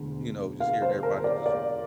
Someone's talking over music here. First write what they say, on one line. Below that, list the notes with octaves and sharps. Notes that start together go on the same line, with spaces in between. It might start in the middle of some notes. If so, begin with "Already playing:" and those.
you know, just hearing everybody just
Already playing: E1 D2
F5
C5
A#4
D5
D5